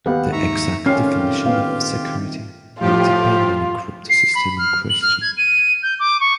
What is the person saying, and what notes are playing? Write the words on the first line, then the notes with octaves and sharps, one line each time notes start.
The exact definition of security would depend on the cryptosystem in question.
D#2 B3 G4 F5 F#5
G#2 E5 A#5 C#6
D#3 A3 C4 C#4 F4 G4 F6 C7
B3 F5
A2 F3 F4 G4
C7
B5
F6
F#7
F6
G#6
D#7
G6
D6
C#6